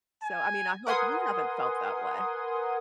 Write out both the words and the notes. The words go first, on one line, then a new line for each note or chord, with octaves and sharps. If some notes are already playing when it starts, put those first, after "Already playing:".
So, I mean, I hope you haven't felt that way.
G#5
A#4 B4 F#5 G#5 C6 D#6